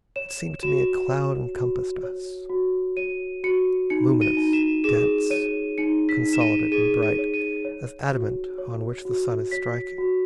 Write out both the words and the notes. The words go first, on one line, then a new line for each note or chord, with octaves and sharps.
It seemed to me a cloud encompassed us, Luminous, dense, consolidate and bright As adamant on which the sun is striking.
C#5 E7
F#4 E7
C#5
F#4
C#5
F#4
C#5 D#7
F#4 C#7
D#4 C#7
D#7
D#4
E7
G#4 E7
C#5 D#7
D#4 C#7
B6
D#4
E7
D#7
G#4 D#7
D#7
C#5
D#7
C#5
F#4
C#5
F#4
C#5 B6
F#4